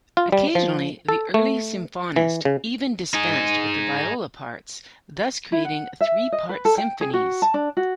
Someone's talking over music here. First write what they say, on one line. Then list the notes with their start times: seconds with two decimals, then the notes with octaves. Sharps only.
Occasionally the early symphonists even dispensed with the viola part, thus creating three-part symphonies.
0.17 F4
0.32 G3
0.55 F3
1.09 A4
1.34 A3
2.16 E3
2.45 C#3
3.14 D#4 G#4
5.52 E4
5.65 F#5
6.01 E5
6.32 D#5
6.49 B4
6.65 A4
6.78 G5
7.01 G#4
7.13 F#4
7.42 A5
7.54 D4
7.77 F#4